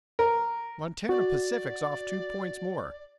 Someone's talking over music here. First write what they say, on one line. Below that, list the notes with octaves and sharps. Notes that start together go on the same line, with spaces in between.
Montana Pacific's off two points more.
A#4
F#4 D5